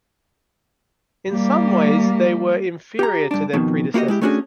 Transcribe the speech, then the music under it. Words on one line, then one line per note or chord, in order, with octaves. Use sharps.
In some ways they were inferior to their predecessors.
G3 A#3
G4 A#5
G2 D4
F2 B2 D#3
A#3 E4 F#4 G4 D#5
G#3 E4 G4
A3 B3 C#4 D4 F#4 G#4